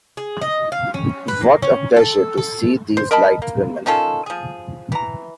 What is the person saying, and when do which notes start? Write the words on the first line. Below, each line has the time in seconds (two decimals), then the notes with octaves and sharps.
What a pleasure to see these light women...
0.17 G#4
0.41 D#5
0.72 F5
0.94 C#4
1.28 B4
1.41 A#3
1.62 C#4
1.96 A4
2.38 A4
2.97 C5
3.11 A#4 D#5 A5 B5
3.42 A#3
3.86 D#3 C#4 F4 A4
4.26 F3 G#4
4.92 E3 A#5